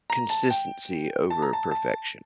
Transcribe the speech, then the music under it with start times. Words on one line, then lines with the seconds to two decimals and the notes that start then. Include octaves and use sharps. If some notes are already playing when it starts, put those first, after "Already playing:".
consistency over perfection.
0.10 A#5
0.30 A5
0.50 G5
1.30 A5
1.42 A#5
1.53 A5
1.71 A5